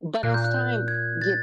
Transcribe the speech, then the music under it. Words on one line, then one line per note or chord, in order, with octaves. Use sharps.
but as time gets
A#2 F#6
G6
F#6
G6
G#6
A6